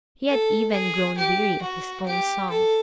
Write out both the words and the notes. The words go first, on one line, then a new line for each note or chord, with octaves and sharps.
He had even grown weary of his own songs.
A4
G#4
G4
F#4
G4
A4